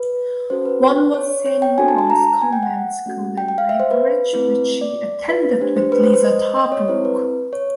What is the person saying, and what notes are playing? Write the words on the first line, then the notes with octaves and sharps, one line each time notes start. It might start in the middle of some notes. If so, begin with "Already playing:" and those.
One was Saint Maur's Convent School in Weybridge, which she attended with Liza Tarbuck.
Already playing: B4
C#4 F#4 A4 C5
B4
C#5
C#5
G5
D4 F#4 A4 G#5
A5
A5
A#5
G#5
G5
F#5
A3 C#4 F#4 A4
G5
G5
F5
E5
C5
B4
A3 C4 E4 B4
D5
B4
A3 D4 G4 C5
C5
B4
C5
C5
D#5
D#5
C#5
C4 E4 A4 C5
B4
C#5